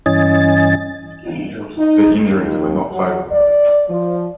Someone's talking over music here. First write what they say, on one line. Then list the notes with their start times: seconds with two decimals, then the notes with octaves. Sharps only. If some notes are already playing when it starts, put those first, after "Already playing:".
The injuries were not fatal.
0.06 G2 E3 C#4 D#5 G#5 A6
1.78 D#4
2.27 D#2
2.92 F#3
3.32 D5
3.89 F3